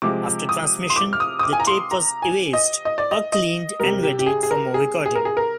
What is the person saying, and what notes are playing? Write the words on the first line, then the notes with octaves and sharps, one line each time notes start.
After transmission, the tape was erased or cleaned and readied for more recording.
C3 F3 G#3 D6
D#6
C6
D6
F6
D#6
D#6
D6
G#5
A#5
C6
A#5
G#5
D#5
D#5
D5
D#5
D#5
C3 G3 A#4
G4
G4
G#4
G#4
A#4
G#4
G#4
A#4
G#4
A#4